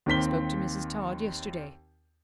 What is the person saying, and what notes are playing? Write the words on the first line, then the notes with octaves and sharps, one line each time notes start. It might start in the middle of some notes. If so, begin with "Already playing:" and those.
I spoke to Mrs. Tod yesterday.
D#2 D#3 C4 B6 G7